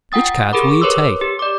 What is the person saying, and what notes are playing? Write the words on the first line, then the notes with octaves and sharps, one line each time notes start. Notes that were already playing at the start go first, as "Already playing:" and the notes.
Which cards will you take?
F4 F#5 G5 D#6 A6
G4 G#4 A#4 B5 D6
A#4 B4 C#5 C6 D6 E6
G4
D5 D6